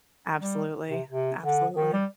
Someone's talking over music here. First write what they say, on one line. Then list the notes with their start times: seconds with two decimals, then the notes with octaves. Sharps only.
Absolutely. Absolutely.
0.39 G3
0.90 C3
1.08 C3
1.42 D3
1.76 D#3
1.93 G3